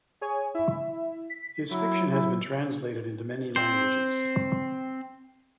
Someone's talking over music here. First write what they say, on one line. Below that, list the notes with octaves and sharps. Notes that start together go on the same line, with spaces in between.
His fiction has been translated into many languages.
G#4 C#5 G#5
E4 E5
B6
F#3 E4
E4
C4 C5